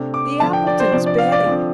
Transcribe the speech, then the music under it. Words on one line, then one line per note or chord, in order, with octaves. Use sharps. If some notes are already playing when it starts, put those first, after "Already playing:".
The Appletons' Betty.
Already playing: C3 A3 D4
D6
D3 F3 D4 A5
G5
D5
C5
C3 F3 D4 D5
D5
F5
D5
D3 F3 C4